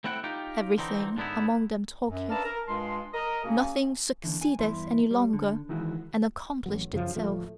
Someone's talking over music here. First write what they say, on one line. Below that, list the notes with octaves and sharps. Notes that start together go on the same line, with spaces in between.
Everything among them talketh, nothing succeedeth any longer and accomplisheth itself.
A3 C4 E4 F#5 G5
D#4 F4 G4 G5
D3 E3 C4 D#4
G#2 D3 B3 D#4 E4
F#2
D4 B4 E5 F5 A5 A#5
A#4
G2 G#3 F4 A5 C6
A#4 D#5
B2 A#3 C#4 G#4
D#2 B2 D3 E3
G#5
E2 G2 E4 C6
G3
D3
D#3 E3 G#3 D#4 E4 F#4
A1 F#3
F#2 C#3 F3
D1 A2 F3 A3